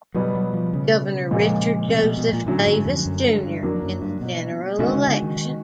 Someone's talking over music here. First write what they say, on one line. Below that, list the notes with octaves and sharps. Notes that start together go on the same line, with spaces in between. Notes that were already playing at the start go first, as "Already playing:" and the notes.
Governor Richard Joseph Davis Junior in the general election.
B2 F#3 G3 B3
F#3
F3
C#3
A#2 F3 G#3
C3
B2
B2
A#2
A2 D3 F#3 A3 C#4
G#2
F2
F#2
G2
G2
F2 F#3 A#3 D4
F#2
G2
B2
B2 D#3 G#3 C#4 F#4
D3
C#3
D3
D#3
D#3